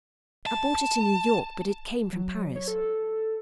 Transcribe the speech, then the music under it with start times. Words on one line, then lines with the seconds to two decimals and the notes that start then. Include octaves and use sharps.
I bought it in New York, but it came from Paris.
0.46 A5
2.13 F#3
2.55 C#5
2.68 A4